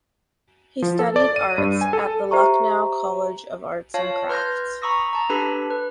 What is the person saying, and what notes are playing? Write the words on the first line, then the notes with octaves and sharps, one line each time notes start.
He studied arts at the Lucknow College of Arts and Crafts.
F3
A4
D5
D#7
G2
G#5
A4
G4 C5 E5 A#5 C#6
F4 C#5 F5 A5
B4 C6 F6 G6 G#6 A#6
A#5 B5 C#6 D#6 E6 A#6
A5 A#5
D4 G4 A4 B4 B5
B4